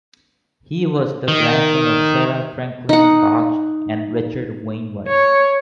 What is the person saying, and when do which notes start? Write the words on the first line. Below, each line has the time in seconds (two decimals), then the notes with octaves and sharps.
He was the grandson of Sarah Franklin Bache and Richard Wainwright.
1.28 D#3
2.89 D#4 F#5
5.08 C#5